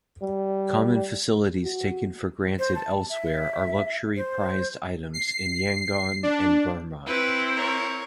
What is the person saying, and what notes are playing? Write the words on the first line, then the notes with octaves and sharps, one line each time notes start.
Common facilities taken for granted elsewhere are luxury prized items in Yangon and Burma.
G3
F#4
C5
A5
E5
C5
C7
D4
C4 E4 B4
A#4 C#5